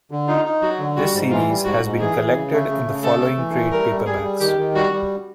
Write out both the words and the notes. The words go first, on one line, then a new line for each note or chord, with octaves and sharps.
This series has been collected in the following trade paperbacks.
D3
D#4 F4
D#4
F#3 F#4
D3
G3 F#4
G#2
E3 F4
G3
G#2 F#4
G#2
E3 G#4
E3
C#3
A3
C#3
C#3
A3 A4
A3
E3
A3
G3 A#4
G3
G3 G#4
G3
D#3 G4
D#3
G3 F#4
G3